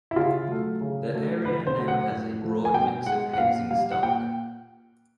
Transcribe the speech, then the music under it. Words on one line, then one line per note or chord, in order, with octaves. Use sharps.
The area now has a broad mix of housing stock.
E4
C#3 F4
F#3 A3
C#3
F#3 A3
D3 B4
C5
F#3 A3
F#5
A2
F3 A3
G#5
B2 G5
G#3 F#5
F#5
A#2 F5
G3 F5
F#5
A#2 G5